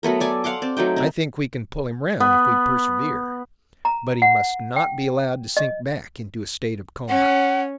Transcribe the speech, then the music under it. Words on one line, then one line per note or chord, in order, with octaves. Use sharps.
I think we can pull him round if we persevere, but he must not be allowed to sink back into a state of coma.
F#3 A3 B3 A#4
A4 D5 G#5
F5 F#5 C6 D6
C4 D5
F#3 A3 D#4 G5
C4 D#4
B3
A#5
F#5
G5
D#5
C#4 F#5